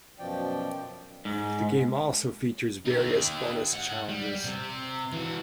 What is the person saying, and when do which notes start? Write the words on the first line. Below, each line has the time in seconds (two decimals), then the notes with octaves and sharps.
The game also features various Bonus Challenges.
0.19 F#2 B2 F3 D5 G5
1.25 G#2
2.85 D#4 G4
3.74 G#2 F#5
4.09 G3
4.44 C3
5.12 E3 F#4